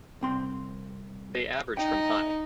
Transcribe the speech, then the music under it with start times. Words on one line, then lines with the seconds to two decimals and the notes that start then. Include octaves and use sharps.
They average from high.
0.21 C2 C4 C6
1.77 D#4 G5